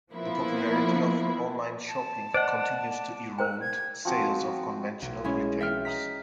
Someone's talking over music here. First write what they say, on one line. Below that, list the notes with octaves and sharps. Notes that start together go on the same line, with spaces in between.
The popularity of online shopping continues to erode sales of conventional retailers.
F3 A#3 B3 E4
A5
C5 D5 D#5 F#5
A#4 C5 G5 F#6
G#6
F3 C4 F#4 G#5
B1
G#3 C#4 E4 G#5
E5 G5 F6
D#5 A#5 B6